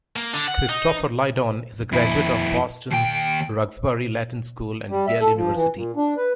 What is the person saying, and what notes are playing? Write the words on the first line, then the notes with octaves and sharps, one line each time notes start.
Christopher Lydon is a graduate of Boston's Roxbury Latin School and Yale University.
A#3
D3
F#5
D#4
F2 E4
D#2 G5
G3
E5
A4
F3
E3
A#2
D4
B4